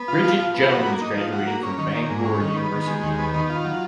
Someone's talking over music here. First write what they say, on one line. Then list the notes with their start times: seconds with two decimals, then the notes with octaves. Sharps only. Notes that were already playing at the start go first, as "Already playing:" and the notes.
Bridget Jones graduated from Bangor University.
Already playing: B3
0.08 F4
0.24 F3
0.39 F3
0.54 B3
0.70 F#4
0.86 A#3
1.02 D#4
1.16 F3
1.32 F#4
1.47 A#3
1.63 C#4
1.78 D#3
1.95 A#3
2.10 G#2
2.25 C#4
2.41 D#3
2.56 B3
2.71 D#3
2.87 G#3
3.03 D#2
3.18 B3
3.34 D#3
3.50 F4
3.64 F#3